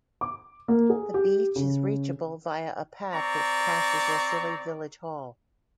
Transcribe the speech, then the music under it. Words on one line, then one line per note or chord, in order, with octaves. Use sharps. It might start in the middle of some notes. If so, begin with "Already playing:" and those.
The beach is reachable via a path which passes Rhossili village hall.
D6
A#3
G#4
G4
C#3
C4 D5 A#5 C#6